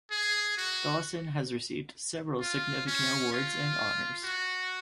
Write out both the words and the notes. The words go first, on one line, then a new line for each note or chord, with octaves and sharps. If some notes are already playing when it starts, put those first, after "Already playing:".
Dawson has received several significant awards and honors.
G#4
F#4
F4
C#4
F4
F#4